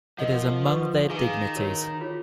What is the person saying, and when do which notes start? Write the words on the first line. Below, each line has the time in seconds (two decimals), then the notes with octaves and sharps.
It is among their dignities.
0.18 F3 A#4 D#5 F#5
0.64 B4 F#5 C#6
1.10 D#3 G#4 B4 F5 G#5
1.55 F#4 A#4 C#5
2.01 F4 G#4 C#5